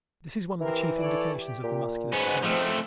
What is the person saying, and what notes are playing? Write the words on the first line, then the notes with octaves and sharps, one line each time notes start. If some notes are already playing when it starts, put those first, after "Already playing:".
This is one of the chief indications of the Muscular's strength.
E3 C4 G4 A#4
A4 C#5 D5
G4
A#2
G#2 B2 B3 C#4
F#2 F3 A3 C4